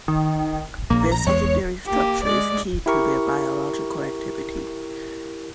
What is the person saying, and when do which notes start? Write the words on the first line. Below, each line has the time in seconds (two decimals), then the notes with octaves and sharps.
Their secondary structure is key to their biological activity.
0.08 D#3
0.90 A#1 A#3
1.12 A#5
1.27 E2 G#3 C#5
1.86 A#3 G4
2.24 G#3 D5
2.86 E4 G4 A#4 C#6